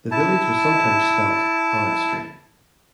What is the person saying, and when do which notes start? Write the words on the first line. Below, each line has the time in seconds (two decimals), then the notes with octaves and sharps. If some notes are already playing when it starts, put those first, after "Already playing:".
The village was sometimes spelt 'Alestry'.
0.11 E4 A5